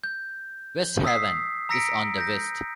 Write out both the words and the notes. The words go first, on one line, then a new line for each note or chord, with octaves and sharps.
West Haven is on the west.
G6
D#6 E6 B6 C7
A#5 E6 A#6 B6 C#7 D7
G6 A#6